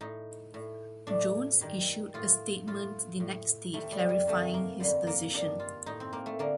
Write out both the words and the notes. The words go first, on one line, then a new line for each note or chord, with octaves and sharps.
Jones issued a statement the next day clarifying his position.
A2 D#4
A2
A2 D4
G2 D#3
A2 F4
A2 F4
A2
F2 C3 D#3 A3
G3
G3
F2 C3 D#3 A3
A#3
F2 D3 G3
A#3
G2 D#3 D4
F4
A2 D#4
C4
A#3
A3
D3 A#3